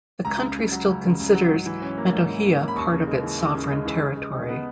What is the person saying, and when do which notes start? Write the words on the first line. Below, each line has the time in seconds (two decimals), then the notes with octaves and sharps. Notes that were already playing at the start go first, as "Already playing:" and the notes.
The country still considers Metohija part of its sovereign territory.
0.25 C#2 A#5
0.41 C#3
0.57 C#2
0.72 F#3
0.88 C#2
1.03 C#3
1.19 C#2
1.35 F#3
1.51 G#2
1.66 E3
1.82 C#4
1.98 A#3
2.13 G#2
2.29 E3
2.45 C#4
2.60 A#3
2.68 B5
2.76 D#2 C#6
2.92 C#3
3.07 G#3
3.23 E3
3.39 D#2
3.55 C#3
3.70 G#3
3.86 E3
4.02 C#3
4.17 G#3
4.33 D#4
4.49 B3